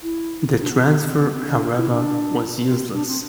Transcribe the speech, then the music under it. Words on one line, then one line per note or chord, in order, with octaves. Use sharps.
The transfer, however, was useless.
E4
D4
B3
C4
B3
C4
B3
C4
D4
E4
D4
C4
D4
C4